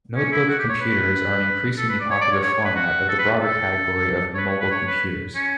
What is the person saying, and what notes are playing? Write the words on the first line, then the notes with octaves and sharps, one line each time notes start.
Notebook computers are an increasingly popular format of the broader category of mobile computers.
C#4
E4
F#4
G4
C#5
B4
A4
B4
D5
C#5
D5
C#5
C#5
C#5
B4
F#4
A4
B4
A4
C#5
B4
C#5
B4
C#5
B4
C#4